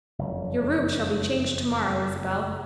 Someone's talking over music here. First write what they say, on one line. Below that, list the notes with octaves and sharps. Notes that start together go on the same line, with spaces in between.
"Your rooms shall be changed to-morrow, Isabel."
F#1 F2